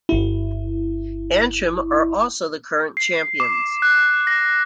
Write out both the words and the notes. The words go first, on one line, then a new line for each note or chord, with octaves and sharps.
Antrim are also the current champions.
G1 E4
C7
D6
F#6
A#6